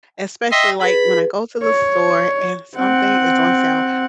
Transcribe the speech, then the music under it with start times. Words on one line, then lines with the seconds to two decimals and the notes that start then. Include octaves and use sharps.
especially, like, when I go to the store and something is on sale.
0.51 D#5 E5 G5 C6
0.80 G#4 A4 B4 B5
1.63 C#5
2.76 C4 F#5